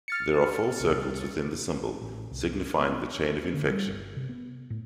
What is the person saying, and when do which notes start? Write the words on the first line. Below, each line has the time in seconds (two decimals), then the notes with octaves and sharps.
There are four circles within the symbol, signifying the chain of infection.
0.08 F6 A6 C#7
0.80 C2
2.02 A1
2.31 C2
2.80 B3
3.54 D3
3.70 G3
3.86 G1
4.16 C3
4.29 B3
4.70 A2